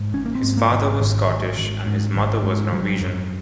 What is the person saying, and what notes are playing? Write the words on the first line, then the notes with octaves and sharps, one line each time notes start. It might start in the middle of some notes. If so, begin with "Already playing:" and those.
His father was Scottish and his mother was Norwegian.
Already playing: G#2
G#1 C#4
A#3
C4
G#2
A#3
G#1
G#1
G#1
G#1
G#2
G#1
G#2
G#1 F#3
F#2